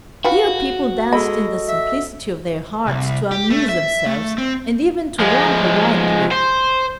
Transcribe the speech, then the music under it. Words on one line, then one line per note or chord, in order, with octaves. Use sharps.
Here people danced in the simplicity of their hearts to amuse themselves and even to romp wildly.
F4 F#4 B4 G5
G#3 A4 D#5 B5
E5
C2
G4
A3
E5
A3
C4
F3 G#3
C5